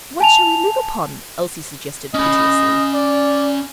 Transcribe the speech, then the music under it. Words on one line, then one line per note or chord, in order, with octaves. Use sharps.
'What shall we live upon?' Elsie suggested, piteously.
G#5 A5 F7
C#4 D#5 B5
D5